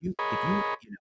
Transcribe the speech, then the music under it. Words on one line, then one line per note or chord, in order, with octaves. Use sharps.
you if you, you know,
G#4 A#4 C#5 D#5 B5